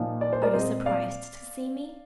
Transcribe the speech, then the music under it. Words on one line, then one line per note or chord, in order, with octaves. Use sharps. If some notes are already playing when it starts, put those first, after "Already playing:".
"Are you surprised to see me?"
Already playing: A#2 F3 A#3 D#4
D5
C5
A#4 D5
A#2 G#3 C4 C5 D#5
D5 F5